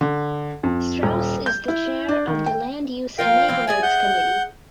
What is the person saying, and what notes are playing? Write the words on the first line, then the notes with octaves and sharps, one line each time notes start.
Strauss is the chair of the Land Use and Neighborhoods Committee.
D3
F2
D#1
G6
E4
D4
D#3
G5
F3 F4 A#4 F5 G5
E3 F3 C4
G#4 D5 E5 G#5
F#5 G6